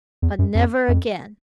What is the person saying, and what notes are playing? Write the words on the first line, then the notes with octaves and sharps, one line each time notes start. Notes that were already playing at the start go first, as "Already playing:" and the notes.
But, never again!
E2
F#2
F2
F2